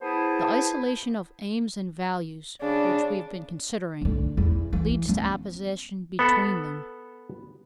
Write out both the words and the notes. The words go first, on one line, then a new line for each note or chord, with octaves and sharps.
The isolation of aims and values which we have been considering leads to opposition between them.
B3 E4 G#4 C5 A5
C#3 D4
D2 D3
E2
E3
B3 C#4
B3 A4